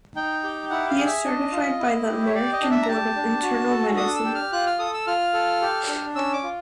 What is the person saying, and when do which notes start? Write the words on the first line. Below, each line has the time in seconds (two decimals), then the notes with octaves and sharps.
He is certified by the American Board of Internal Medicine.
0.16 D#4 G5
0.44 G4
0.70 E4 F#5
0.89 F5
0.98 G#4
1.07 E5
1.25 D4 D#5
1.52 F4
1.80 E4
2.06 G4
2.26 C#5
2.34 G4 D5
2.53 D#5
2.61 D4
2.71 E5
2.82 A#5
2.88 G4 A5
3.16 D4
3.43 F#4
3.71 A4
3.97 D4 D#6
4.16 E6
4.24 G4
4.35 F6
4.53 F4 F#6
4.66 F6
4.79 A4 D#6
4.94 E6
5.07 F4 F6
5.34 A4
5.62 G4
5.88 D4
6.15 C#4 E6
6.33 D6
6.43 F4